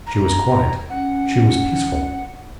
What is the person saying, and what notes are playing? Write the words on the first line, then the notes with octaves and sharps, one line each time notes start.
She was quiet, she was peaceful.
A#5
C#4 F#5